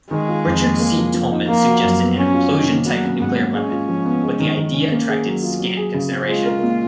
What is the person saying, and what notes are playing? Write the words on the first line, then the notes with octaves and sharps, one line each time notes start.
Richard C. Tolman suggested an implosion-type nuclear weapon, but the idea attracted scant consideration.
D#3 G#3
F4
F2
A#3
A#3
F3
F3
D#4
F3 A#3
F#4
F#2
B3
F#3 C#4
F4
D#3
A#3
F#3 B3
C#4
G#2 B3
A#3
G#3 C#4
F4
F3
B3
G#3
D#3
D#3
C#4
A#3
G#4
F#3
F4
F#3
G#4
C#3
C#4
G#3 F4
A#4
A#2